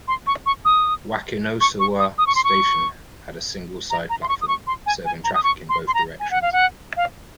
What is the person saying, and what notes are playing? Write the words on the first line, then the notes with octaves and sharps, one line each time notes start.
Wakinosawa Station had a single side platform, serving traffic in both directions.
C6
C#6
C#6
D#6
C#6
C#6
D#6
D#6
C#6
C6
C#6
A#5
A#5
C6
C#6
D#6
C#6
C6
G#5
G#5
A#5
D#6
C#6
C6
C6
A#5
G#5
F#5
F5
F#5
F5